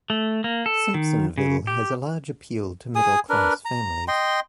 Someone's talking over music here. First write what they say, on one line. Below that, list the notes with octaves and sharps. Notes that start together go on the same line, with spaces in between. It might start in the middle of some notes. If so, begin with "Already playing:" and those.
Simpsonville has a large appeal to middle-class families.
A3
A#3
A4
D#3
C#3
G4
G#4 G#5 D#6
D4 A#4 B4
A#5
D#5 G5 C6